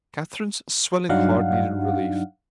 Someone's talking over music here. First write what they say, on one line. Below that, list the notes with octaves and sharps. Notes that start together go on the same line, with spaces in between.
Catherine's swelling heart needed relief.
G2 F#3 D4 D#4 F5 F#5